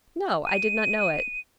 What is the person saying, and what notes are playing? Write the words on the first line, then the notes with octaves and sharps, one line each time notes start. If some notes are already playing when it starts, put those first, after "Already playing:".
"No, I did not know it."
D#7